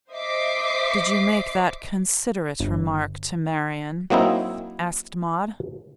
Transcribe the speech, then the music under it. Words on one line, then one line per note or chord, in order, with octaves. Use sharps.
'Did you make that considerate remark to Marian?' asked Maud.
C5 D#5 E5 D6 B6 C7
G1
F#3 A#3 C4 D#4 E4